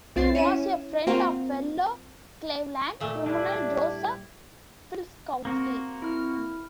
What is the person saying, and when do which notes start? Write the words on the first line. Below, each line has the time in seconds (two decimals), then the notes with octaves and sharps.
He was a friend of fellow Cleveland criminal Joseph Filkowski.
0.16 B1 C4 A6 C7
0.35 C#4 E4 D#7 E7
1.07 A#3 C4 F4 F#4 A#4
3.00 A#2 A3
3.26 G3 D4 E4
5.45 A#3 C4 F#4 A#4
6.02 E4 F6